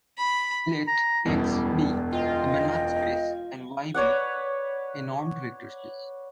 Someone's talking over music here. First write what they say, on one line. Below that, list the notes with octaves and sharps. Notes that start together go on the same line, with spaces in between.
Let "X" be a Banach space and "Y" be a normed vector space.
B5
A#5
E1 F#2 B2 G3 E4
F4 D#5 G5
B4 C#5 D5 F#5